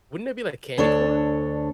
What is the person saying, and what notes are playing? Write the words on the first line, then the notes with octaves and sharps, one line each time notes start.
wouldn't it be like a candy corn?
D2 D4 A4 C#5